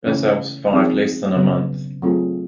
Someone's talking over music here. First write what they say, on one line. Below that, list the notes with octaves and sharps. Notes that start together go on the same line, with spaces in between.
Bassal survived less than a month.
C#3 E3 A3 C#4
F3 G#3 C4 D#4 G#4
C#3 F#3 B3
F#3 A3 C4 F4 G#4